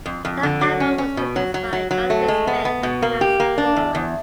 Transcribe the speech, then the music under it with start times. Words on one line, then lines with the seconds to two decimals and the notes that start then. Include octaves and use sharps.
The album was produced by Jonathan Smith and Max Corwin.
0.06 F2
0.25 F2
0.43 D3
0.61 F#3
0.80 C#4
0.98 C#4
1.17 B2
1.36 F#3
1.54 F#3
1.73 F#3
1.91 F#3
2.10 A3
2.28 G#3
2.47 B3
2.65 B3
2.83 B2
3.02 A#3
3.21 G4
3.40 A#3
3.58 D4
3.76 E2
3.95 E2